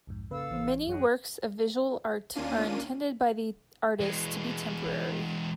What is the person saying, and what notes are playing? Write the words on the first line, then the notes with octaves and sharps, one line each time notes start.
Many works of visual art are intended by the artist to be temporary.
B1 F2 G#2
C#3 A#3 A4 B4 F5 E6
A1 E3 C5
F#2 F#4 G#4 C#5
D#2 A#3 C#4 D4 F4 D#7
E3 G#3